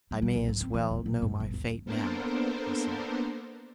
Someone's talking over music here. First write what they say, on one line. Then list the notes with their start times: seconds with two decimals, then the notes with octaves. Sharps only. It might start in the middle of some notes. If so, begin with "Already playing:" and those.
"I may as well know my fate now," he said.
0.11 G3
0.22 G3
0.36 B1
0.48 G#2
0.61 C4
0.74 E3
0.90 D#1
1.06 B1
1.22 G2
1.40 G1
1.54 D#2
1.86 A#3 B3 D4 A4 A#4 C5